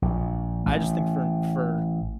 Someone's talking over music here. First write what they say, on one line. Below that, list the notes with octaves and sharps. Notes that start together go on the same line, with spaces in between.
I just think for for
A#1
A1